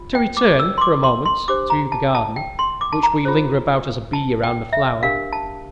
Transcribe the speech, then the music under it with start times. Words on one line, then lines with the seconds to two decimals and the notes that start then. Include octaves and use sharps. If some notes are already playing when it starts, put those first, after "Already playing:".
To return, for a moment, to the garden, which we linger about as a bee around a flower.
Already playing: F4
0.15 G5
0.37 D6
0.59 E6
0.78 C6
0.81 D6
1.04 C6
1.25 C6
1.48 D4 G4 C5 D6
1.70 A#5
1.92 A5
2.15 A5
2.36 G5
2.59 C6
2.81 D6
2.93 A5
3.03 A#5
3.25 F4 C5
4.13 A5
4.43 G5
4.73 E5
5.03 D4 G4 A#4 F5
5.33 A5